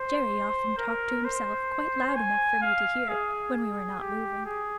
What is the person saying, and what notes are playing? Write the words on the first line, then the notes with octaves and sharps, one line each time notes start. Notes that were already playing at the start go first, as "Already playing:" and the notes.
Jerry often talked to himself quite loud enough for me to hear when we were not moving.
Already playing: C5
A#4
C5
G#5
F5
G#4
G#4
G4
G#4